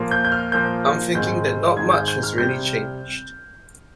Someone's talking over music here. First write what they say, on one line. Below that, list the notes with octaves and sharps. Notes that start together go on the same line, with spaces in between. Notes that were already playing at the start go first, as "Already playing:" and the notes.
I'm thinking that not much has really changed.
Already playing: A#2 F3 A#3
G6
G6
F6
A#2 F3 A#3 G6
G#2 D#3 G#3 C4 G6
G#2 D#3 G#3 C4 G#6
G6
G6
F6
C3 G3 C4 G6